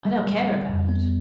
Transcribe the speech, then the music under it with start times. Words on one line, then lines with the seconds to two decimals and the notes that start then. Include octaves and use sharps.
I don't care about it.
0.05 G3
0.27 G3
0.47 G3
0.69 F2
0.89 B3